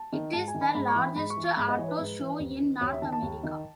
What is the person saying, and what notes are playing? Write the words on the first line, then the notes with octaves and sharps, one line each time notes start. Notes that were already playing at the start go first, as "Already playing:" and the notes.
It is the largest auto show in North America.
Already playing: A5
D#3
G#2 A5
G#5
D#3
B5
G#2 B5
C#6
E3
B5
G#2 B5
C#6
E3
C#6
G#2 B5
D#5
E3 C#5
B4
G#2
E3
D#2
D#3
D#2 C#5
E5
D#3 A5
A5
D#2
D#3